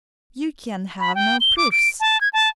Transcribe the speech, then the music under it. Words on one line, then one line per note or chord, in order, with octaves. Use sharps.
You can have no proofs.
B5
G5
G7
D6
D7
A5
G#6
A5